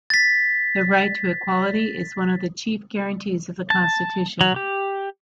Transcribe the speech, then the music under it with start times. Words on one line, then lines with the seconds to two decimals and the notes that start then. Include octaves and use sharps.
The Right to Equality is one of the chief guarantees of the Constitution.
0.10 A6 B6
3.70 A5
4.41 F#3
4.56 G4